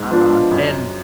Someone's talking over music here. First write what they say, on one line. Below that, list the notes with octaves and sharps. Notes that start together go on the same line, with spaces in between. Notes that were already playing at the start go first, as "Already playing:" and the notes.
Uh-uh, and
Already playing: G#2
F3 B3 D4 F4
F#2